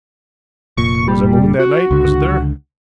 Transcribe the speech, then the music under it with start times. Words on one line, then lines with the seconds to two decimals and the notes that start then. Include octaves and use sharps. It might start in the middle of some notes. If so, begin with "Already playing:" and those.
"There was a moon that night, wasn't there?"
0.77 F1 A#2 C#6
1.08 G3
1.59 F#4
1.91 C#2 D3